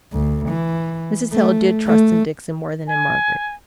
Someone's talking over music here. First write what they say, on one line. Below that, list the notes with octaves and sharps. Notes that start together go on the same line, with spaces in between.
Mrs. Hale did trust in Dixon more than in Margaret.
D2
E3
A3
A3
G#5